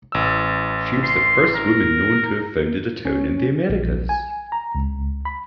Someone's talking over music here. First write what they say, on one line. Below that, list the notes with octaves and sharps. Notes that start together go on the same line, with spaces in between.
She was the first woman known to have founded a town in the Americas.
A1 E6
C6
A#4
C#4
A#1
G#5
A#5
C#2
B5